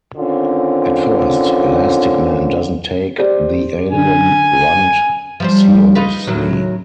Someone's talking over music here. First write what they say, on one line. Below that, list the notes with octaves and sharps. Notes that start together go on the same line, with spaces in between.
At first, Lastikman doesn't take the alien runt seriously.
D3 D#3 C4 C#4 F4
G4 C5 D5
D3 G#5
F3 G3 C5
D#4 F4 B4
A2 D#3 F#3